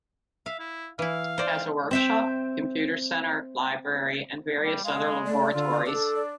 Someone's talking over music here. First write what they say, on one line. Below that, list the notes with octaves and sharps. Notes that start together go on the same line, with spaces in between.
It has a workshop, computer centre, library and various other laboratories.
E5 F5
E4
E3 E4 F5
C5 D5
C4 E5 G5
G3
G#3 F5
A3 D5
D3 F4
D4 A4
D5